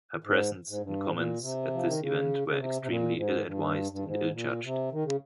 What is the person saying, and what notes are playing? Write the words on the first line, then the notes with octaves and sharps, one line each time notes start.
Her presence and comments at this event were extremely ill-advised and ill-judged.
G#2
G#2
G2
G#2
A#2
C3
F3
D#3
C#3
C#3
C3
C3
A#2
G#2
G2
G2
G#2
A#2
C3
D#3
C#3